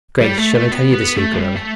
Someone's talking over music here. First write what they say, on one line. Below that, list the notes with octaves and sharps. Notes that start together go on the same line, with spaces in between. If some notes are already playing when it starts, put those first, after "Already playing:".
Grace, shall I tell you the secret of it?
G3
A3
A3
B3
B3
A3
F#3
G3
A3